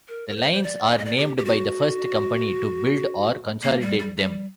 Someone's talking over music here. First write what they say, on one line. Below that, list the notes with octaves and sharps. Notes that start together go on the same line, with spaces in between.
The lines are named by the first company to build or consolidate them.
A#4
A#4
C5
C5
D5
D5
D#5
D5
G4
G4
F#4
A#3
G3
G3
G3